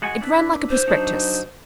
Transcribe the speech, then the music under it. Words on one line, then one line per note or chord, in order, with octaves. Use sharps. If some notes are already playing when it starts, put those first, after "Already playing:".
It ran like a prospectus.
G#3 F#4 G#5
D4 E4 B4
C5
F#3 D4 D#4